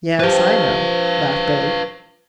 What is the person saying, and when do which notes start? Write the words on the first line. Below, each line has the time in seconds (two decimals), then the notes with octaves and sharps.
"Yes, I know," laughed Billy.
0.20 F3 G4 B4 F5